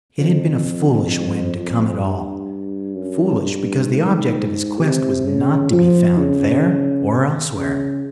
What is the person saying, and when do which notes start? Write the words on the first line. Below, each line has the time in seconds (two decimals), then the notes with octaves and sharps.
It had been a foolish whim to come at all--foolish, because the object of his quest was not to be found there or elsewhere.
0.19 F2
1.57 F2
2.03 G2
2.95 F#2
3.41 G2
3.88 G#2
4.80 C3
5.26 C#3
5.72 F3
6.18 C#3
7.56 C#3